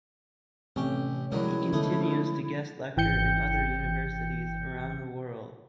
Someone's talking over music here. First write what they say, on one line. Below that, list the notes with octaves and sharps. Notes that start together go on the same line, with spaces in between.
He continues to guest lecture in other universities around the world.
A1 C3 A3 C#4 G4
G2 D#3 F3 F#3 G#3 E4
B1 D3 A3 D#6
G#1 E3 G5 G6 C#7